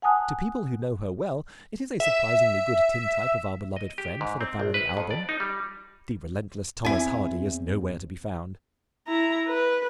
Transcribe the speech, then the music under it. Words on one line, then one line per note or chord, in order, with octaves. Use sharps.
To people who know her well it is a surprisingly good tintype of our beloved friend, for the family album. The relentless Thomas Hardy is nowhere to be found.
F#5 G#5 A5 D#6 F#6
E5
D#5
G4
G#2
C4
A#1
B4
F2
D5
D#4
G3
E2 C4 E4 G#5
E4 A#5
B4